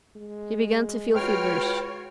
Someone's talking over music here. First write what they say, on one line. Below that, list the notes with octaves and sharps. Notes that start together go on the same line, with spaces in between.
He began to feel feverish.
G#3
F4 F#4 B4 C#5 G5 F6